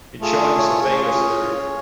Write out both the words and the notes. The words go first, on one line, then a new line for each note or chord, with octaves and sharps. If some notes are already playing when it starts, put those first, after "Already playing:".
It joins the vagus nerve.
A3 F4 G#4
C#5
C#4 F4 G#4